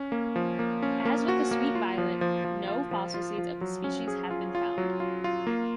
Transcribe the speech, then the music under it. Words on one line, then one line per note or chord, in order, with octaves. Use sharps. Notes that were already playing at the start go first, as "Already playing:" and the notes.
As with the sweet violet, no fossil seeds of this species have been found.
Already playing: C#4
A#3
F3
A#3
C#4
A#3
F#4
A#3
F4
F3
F3
F3
F4
F3
F4
F3
F#3
C#4
G#4
F4
F4
F#3
F4
F4
A#3